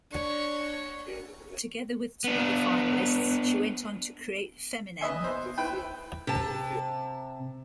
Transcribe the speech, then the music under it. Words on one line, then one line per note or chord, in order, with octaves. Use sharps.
Together with two other finalists, she went on to create Feminnem.
D4 C#5
B3 D4
B4 D#5 E5 G#5
B3 C5
E4 B4 G5
C3 A5